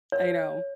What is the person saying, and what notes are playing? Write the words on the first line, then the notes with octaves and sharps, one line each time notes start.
I know.
C#5